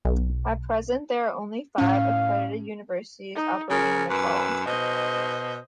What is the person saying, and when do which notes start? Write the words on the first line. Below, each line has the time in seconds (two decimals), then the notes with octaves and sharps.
At present there are only five accredited universities operating in Nepal.
0.05 B1
1.78 A2 C#4 F5
3.35 D#4
3.70 C#3 A#4
4.09 F#2 B4 E6
4.66 B2 C5 D#5